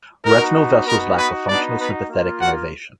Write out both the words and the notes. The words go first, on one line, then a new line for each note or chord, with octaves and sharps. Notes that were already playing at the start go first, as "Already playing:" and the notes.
Retinal vessels lack a functional sympathetic innervation.
B3 D#4 F#4 A#4
B3 D#4 F#4 A#4
B3 B4
B3 D4 D#4 F#4 D5
B3 B4
A#3 F4
F#4 F#5